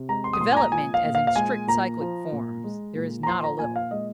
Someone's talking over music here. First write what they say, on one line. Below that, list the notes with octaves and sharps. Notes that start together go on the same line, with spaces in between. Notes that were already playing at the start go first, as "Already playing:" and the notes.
Development, as in strict cyclic forms, there is not a little.
Already playing: C3
G#3 A#5
C6
D#6
A#2 C6
G#5
A#5
F3 G#5
F5
A#2
F5
F5
G#3 G#5
A#2 A#5
F3
A#2
G#3
A#2
A#5
F3 C6
A#5
A#2 G#5
F5
G#3 D#5